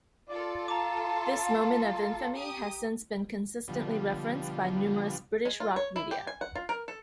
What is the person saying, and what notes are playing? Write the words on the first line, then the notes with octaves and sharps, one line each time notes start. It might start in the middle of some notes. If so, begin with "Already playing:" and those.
This moment of infamy has since been consistently referenced by numerous British rock media.
F4 A4 D5
F5 A5 A#5 D6
G4 D#6
B2 D3 F3 G3
G#3
F4
C#5
E4
G4
G#5
F#5
F4
A#4
A4